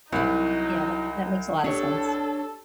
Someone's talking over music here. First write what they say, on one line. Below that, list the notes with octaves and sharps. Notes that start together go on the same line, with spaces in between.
yeah, that that makes a lotta sense.
C2 F#3 D#4 E4
D4 G4 A4 C#5